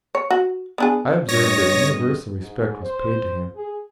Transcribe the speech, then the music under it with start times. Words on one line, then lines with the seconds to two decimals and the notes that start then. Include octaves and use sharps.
I observed that universal respect was paid to him.
0.15 C#5
0.31 F#4
0.78 B3 D4 G#4
1.29 G2 C#5 D#5 A#6
2.39 G#2
2.82 C5
3.55 G#4